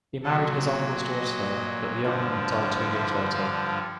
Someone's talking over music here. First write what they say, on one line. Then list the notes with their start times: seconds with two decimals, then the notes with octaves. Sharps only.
He married his uncle's daughter, but the young woman died two years later.
0.23 A#2 F#3 A4
1.11 D#5
2.01 G2 D3 F3
2.90 E5
3.34 F5